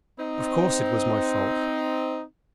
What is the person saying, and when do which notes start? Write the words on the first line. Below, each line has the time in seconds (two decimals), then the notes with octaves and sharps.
Of course it was my fault.
0.19 C4 D#4